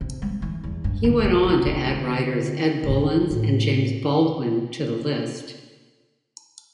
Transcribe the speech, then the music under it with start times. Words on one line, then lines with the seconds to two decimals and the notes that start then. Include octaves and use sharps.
He went on to add writers Ed Bullins and James Baldwin to the list.
0.01 C3
0.22 G3
0.42 E3
0.64 E2
0.84 G2
1.04 D3
1.19 D3
1.24 C3
1.45 C3
1.66 C3
1.86 D3
2.83 A2
2.90 C3
3.30 A2